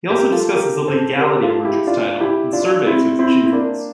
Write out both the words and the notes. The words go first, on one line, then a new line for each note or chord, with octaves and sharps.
He also discusses the legality of Richard's title and surveys his achievements.
G4 A#4
F4 A4
G4 A#4
A4 C5
G4 A#4
F4 A4
E4 G4
D4 F4
E4 G4
D4 F4
C4 E4
C4 E4
E4
A#3 D4